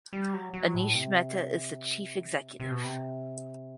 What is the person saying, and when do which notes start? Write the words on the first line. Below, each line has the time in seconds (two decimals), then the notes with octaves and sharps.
Anish Mehta is the chief executive.
0.13 G3
0.33 F#3
0.53 F#3
0.74 A2
0.94 C3
2.60 C3
2.71 B2
2.84 C3